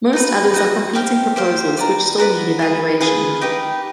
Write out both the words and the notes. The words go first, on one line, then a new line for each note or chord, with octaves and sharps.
Most others are competing proposals which still need evaluation.
D#4 F#4 B4
D#4 F#4 B4
G4 C5 F5
G4 C5 F5
B4 D5 F#5 A#5
B4 D5 F#5 A#5
F4 G#4 B4
F4 G#4 B4
D#4 G4 B4